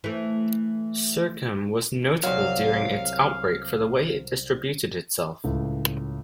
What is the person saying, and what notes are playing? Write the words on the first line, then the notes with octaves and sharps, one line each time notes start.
Sircam was notable during its outbreak for the way it distributed itself.
E3 A3
C2 F#3 F5
C#2 A2 A3